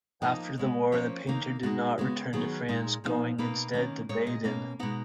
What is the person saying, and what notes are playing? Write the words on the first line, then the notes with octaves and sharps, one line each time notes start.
After the war, the painter did not return to France, going instead to Baden.
F3 A#3 D#4 D#5
C#3 G#3 B3
F3 A#3 C#4 C#5
D#3 A#3 D#4
B2 G#3 D#4 F#4
C#3 G#3 B3
D#3 F#3 B3 G#4
A#2 G#3 D#4
A#2 F3 B3 D#4
B2 A#3 D#4 B4
D#3 A#3 C#4
A#2 G#3 D#4 C#5
D#5
B2 A#3 C#4
B2 G#3 B3 D#4 F#5